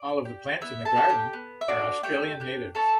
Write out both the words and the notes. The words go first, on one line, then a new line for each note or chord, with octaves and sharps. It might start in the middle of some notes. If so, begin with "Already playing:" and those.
All of the plants in the Garden are Australian natives.
Already playing: D5
G4
B3 E4 E5
A4 A5
D4 G4
G4 G5
B3
E5
D4 F#4 A4 D5
A3 G4 G5
D4 G4
C#4 A4 A5